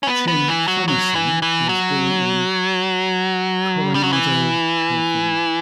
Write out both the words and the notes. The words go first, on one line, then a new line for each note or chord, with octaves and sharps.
Tim Thomerson was born in Coronado, California.
C#4
B3
B3
E3
F#3
F#3
E3
E3
F#3
G3
F#3
E3